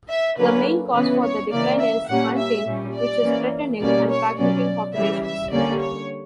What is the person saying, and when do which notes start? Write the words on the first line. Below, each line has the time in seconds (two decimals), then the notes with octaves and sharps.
The main cause for the decline is hunting which is threatening and fragmenting populations.
0.09 E5
0.38 D3 F#3 A#3 C#4 B4
0.94 C#3 E3 B3 B4
1.24 C#5
1.51 C#3 E3 A#3 D5
1.81 E5
2.08 A#2 G3 A#3 C#4 F#5
2.37 E5
2.66 A#2 G3 C#4
2.95 D5
3.23 E3 A#3 C#4
3.80 B2 G3 A#3 C#4 D5
4.09 C#5
4.38 B2 F#3 C#4 D5
4.94 C#3 E3 G3 E5
5.24 E5
5.52 D3 G3 A#3 C#4 D5
5.81 C#5